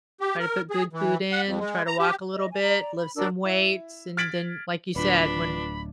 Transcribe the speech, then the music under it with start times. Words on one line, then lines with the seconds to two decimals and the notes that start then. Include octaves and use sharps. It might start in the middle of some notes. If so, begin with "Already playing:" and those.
Try to put good food in, try to walk a little bit, lift some weights, and then, like you said, when
0.21 G4
0.39 A#4
0.70 G#4
0.93 E3
1.32 F#5
1.46 F2
1.59 G#3
1.87 A#5
1.99 G4
2.35 D#5
2.51 G#5
2.63 D5 A#5
2.95 B5
3.15 D4 F#4 A#4 E6
3.45 E4
4.17 F6 G#6 A6 B6 D7 F#7
4.96 D1 D4 F4 B4 B5